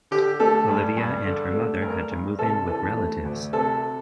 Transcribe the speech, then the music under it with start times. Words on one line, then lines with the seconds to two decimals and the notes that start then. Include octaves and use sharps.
Olivia and her mother had to move in with relatives.
0.11 D3 G4
0.40 A3 A4
0.68 G2
0.97 G2
1.25 D3
1.54 A3
1.82 G2 A#4
2.11 G2
2.39 C3 A4
2.67 E3 A4
2.96 A3
3.24 D2
3.53 C3 A4